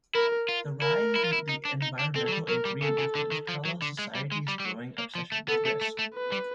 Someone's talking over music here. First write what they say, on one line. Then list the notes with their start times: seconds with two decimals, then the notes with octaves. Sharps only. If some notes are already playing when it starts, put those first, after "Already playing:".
The rise of the environmental and green movements parallels society's growing obsession with risk.
0.15 E4 A#4
0.49 F4
0.82 E4 A#4
1.16 E4
1.24 F4
1.33 E4
1.49 D#4
1.65 D4
1.82 D#4
1.99 D4
2.16 C4 A4
2.28 F#3
2.32 G3
2.49 F#3 A#4
2.65 G3
2.82 C#3 A4
2.98 C#3
3.15 D3
3.32 D#3
3.49 F3
3.65 F#3
3.82 D3
3.99 G#3
4.15 G3
4.32 G#3
4.48 G3
4.60 G3
4.65 F#3
4.98 A#3
5.15 F3
5.32 A3
5.48 B3 A4
5.65 A3
5.81 A3
5.99 A3
6.14 B4
6.32 G3